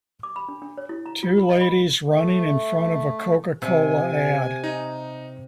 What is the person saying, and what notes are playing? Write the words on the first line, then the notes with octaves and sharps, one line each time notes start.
Two ladies running in front of a CocaCola ad.
D6
B5
D4
D4
C#5
E4
A#5
F4
B5
D#5
B5
A3
C3 G4 G#5
D#4